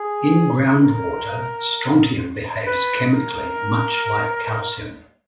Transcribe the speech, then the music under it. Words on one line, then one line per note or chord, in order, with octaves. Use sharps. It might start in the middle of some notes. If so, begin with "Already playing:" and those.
In groundwater strontium behaves chemically much like calcium.
Already playing: G#4
A#4
B4
A#4